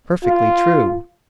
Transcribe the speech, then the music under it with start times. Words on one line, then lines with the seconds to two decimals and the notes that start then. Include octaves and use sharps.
"Perfectly true."
0.24 F4